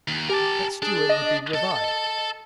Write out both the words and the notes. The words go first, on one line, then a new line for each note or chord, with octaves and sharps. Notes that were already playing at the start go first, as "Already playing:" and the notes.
That steward would be revived.
D#2
G4 A#4 G#5 A5
D4 G#4
D#5
A4